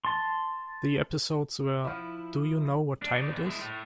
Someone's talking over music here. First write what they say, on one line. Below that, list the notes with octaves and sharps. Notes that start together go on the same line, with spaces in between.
The episodes were Do You Know What Time It Is?
A5 C6
F3 E4
D4
D#4 D5
B1
G#3 E4
A2